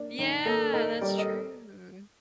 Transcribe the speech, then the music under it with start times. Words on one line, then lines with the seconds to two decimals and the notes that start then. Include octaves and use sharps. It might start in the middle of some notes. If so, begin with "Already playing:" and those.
Yeah, that's true.
Already playing: A#3 D4
0.19 D#3
0.46 A#3 A4
0.73 D#4 A#4
1.01 G3 D5
1.19 D#5